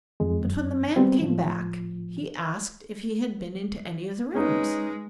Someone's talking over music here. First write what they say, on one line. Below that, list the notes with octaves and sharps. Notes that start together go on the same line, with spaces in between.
But when the man came back, he asked if he had been into any of the rooms.
F2 G#3
F#2
G3 B3 C4
A2 F3
G#3 C#4 D#4 B4